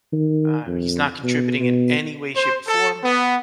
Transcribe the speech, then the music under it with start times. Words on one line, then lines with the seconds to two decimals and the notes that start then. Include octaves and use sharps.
Uh, he's not contributing in any way, shape, or form.
0.13 D#3
0.67 F2
1.23 B2
1.59 B2
2.35 C5
2.66 A4
3.03 B3